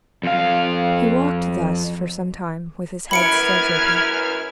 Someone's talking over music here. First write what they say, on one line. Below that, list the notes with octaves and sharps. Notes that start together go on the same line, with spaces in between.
He walked thus for some time, with his head still drooping.
F2 F5
F#2 E4 B4 B5 F6 G#6 C#7 D7